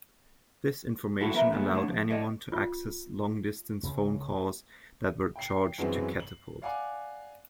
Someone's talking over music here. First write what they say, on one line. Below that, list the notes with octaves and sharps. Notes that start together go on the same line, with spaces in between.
This information allowed anyone to access long-distance phone calls that were charged to Catapult.
G2 F3 E4 F#4 A4
F2 B3 A#4 E5 A#5
D3 G3 G#3 A#3 B3
A3 D4 C#5
F3
A4 D5 D#5
F4
C#2
G5 C7
F#2 E3 F#3 G#3 B3 C4
F#7
D5 F5 F#5 G#5 D6